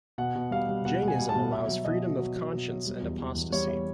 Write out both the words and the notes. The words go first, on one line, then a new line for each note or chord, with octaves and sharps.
Jainism allows freedom of conscience and apostasy.
B2 F#5
B2
G3 F5
G3
B2 F#5
B2
G#5
G3
A5
B2
B2 E5
F#3
B2 D#5
F#3
F#3
F#3
B2
F#3
G3
E2
E2
E2
G3 C#5
C#5